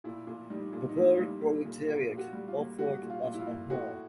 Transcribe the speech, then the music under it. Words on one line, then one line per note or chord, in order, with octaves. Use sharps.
The world proletariat offered us a home.
A#2 E4
A#2
G3 D#4
A#2
D#4
A#3 E4
G3
A#3
A#2
A#2 F4
A#2
F#4
G3
F4
A#3
G3 F#4
A#2
F4
A#2
E4
F4
A#3
A2 F#4